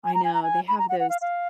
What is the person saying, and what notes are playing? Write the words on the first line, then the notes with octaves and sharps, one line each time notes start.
I know, they have those
G#5
A#5
G#5
A#5
G#5
B5
A#5
F#5
F#5
F5
F5